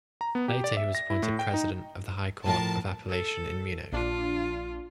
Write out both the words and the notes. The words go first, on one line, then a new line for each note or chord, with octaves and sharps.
Later he was appointed president of the High Court of Appellation in Munich.
A#5
B3
G4
D5
E5
A#6
E4
A2
G5
D#4
A2 F3 A#4 A5
A4
A#1 D4 F4